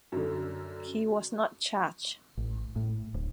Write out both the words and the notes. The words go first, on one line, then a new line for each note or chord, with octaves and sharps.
He was not charged.
F#2 D3
A1
A2
D1